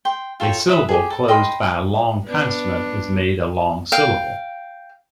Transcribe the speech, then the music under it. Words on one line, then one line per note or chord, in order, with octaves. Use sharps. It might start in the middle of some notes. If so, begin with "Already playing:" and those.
A syllable closed by a long consonant is made a long syllable.
G5 C6
F4 A4 C#5 G5
B4 E5 F#5 D#6
G4 G#4
A4
D#5 G5 B5 C6
B3 D4
F5 G5